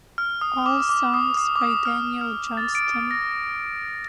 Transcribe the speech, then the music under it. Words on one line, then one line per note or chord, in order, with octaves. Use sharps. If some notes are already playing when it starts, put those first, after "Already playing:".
All songs by Daniel Johnston.
F6
D#6
D6
D6
D#6
D#6
D6
D#6
F6
F6
A6
D7
A#6